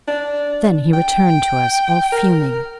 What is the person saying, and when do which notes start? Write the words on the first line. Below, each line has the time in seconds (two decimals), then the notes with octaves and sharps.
Then he returned to us, all fuming.
0.08 D4
0.94 G5
2.12 A#4